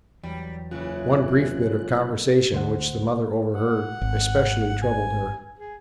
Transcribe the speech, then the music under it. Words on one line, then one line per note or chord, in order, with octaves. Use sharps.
One brief bit of conversation which the mother overheard especially troubled her.
E2 F#3 G3
F#1 C#3 E3 F4 F#6
D2 C5 F#5
F#5
G#1
G#5
G#4